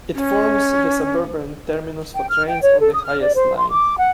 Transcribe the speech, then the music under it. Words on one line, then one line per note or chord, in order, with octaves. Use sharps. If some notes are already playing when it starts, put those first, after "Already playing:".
It forms the suburban terminus for trains on the Hayes line.
C#4
G5
F6
G5
C#5
A4
D#6
F6
D5
C5
C6
D6
F#5